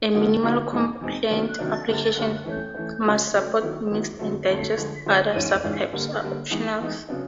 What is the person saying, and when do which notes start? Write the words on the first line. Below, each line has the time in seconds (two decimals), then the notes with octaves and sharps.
A minimally compliant application must support mixed and digest; other subtypes are optional.
0.14 D3 F3 A#3 D#4 F#4
0.43 D3 F3 A#3 D#4 F#4
0.72 E2 B2 G#3 C4 D#4
1.01 E2 B2 G#3 C4 D#4
1.30 C3 D#3 F#3 A#3 D4
1.59 C3 D#3 F#3 A#3 D4
1.88 F#2 D3 G3 A#3
2.17 F#2 D3 G3 A#3
2.46 E3 A3 C#4
2.75 E3 A3 C#4
3.03 C#3 F#3 A3
3.32 C#3 F#3 A3
3.62 D#3 F#3 B3 E4
3.91 D#3 F#3 B3 E4
4.19 F2 D3 F#3 A3
4.48 F2 D3 F#3 A3
4.77 D3 F3 G#3
5.06 D3 F3 G#3
5.35 G#2 E3 G#3 C#4 F4
5.64 G#2 E3 G#3 C#4 F4
5.93 D3 G3 A#3
6.22 D3 G3 A#3
6.50 E3 G#3 B3 D#4
6.80 E3 G#3 B3 D#4
7.09 C#3 F#3 B3 D4